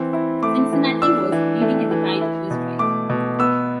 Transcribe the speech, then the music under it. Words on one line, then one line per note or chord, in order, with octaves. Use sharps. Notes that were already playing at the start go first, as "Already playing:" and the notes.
Cincinnati was leading at the time of the strike.
Already playing: E3 C4
E4
A3 D6
E3
D4 E6
E3
A3
E3
E4
B2
A3 D6
B2
B3 E6